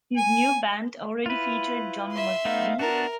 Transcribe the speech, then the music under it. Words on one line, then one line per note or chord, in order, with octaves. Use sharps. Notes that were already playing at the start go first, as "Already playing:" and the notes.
His new band already featured John McVie.
G#5
E4 F4 B4
E5 C6
A3 B3 D#4 F5
B3 D4 F#4 A#4 A5